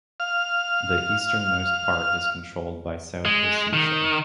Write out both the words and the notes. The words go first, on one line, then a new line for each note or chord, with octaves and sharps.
The easternmost part is controlled by South Ossetia.
F5 F6
G#3
D#3